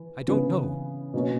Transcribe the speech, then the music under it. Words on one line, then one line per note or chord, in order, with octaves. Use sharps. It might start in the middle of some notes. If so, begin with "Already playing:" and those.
I don't know.
Already playing: E3
C#3 E3 B3
B2 F#3 A#3 C#4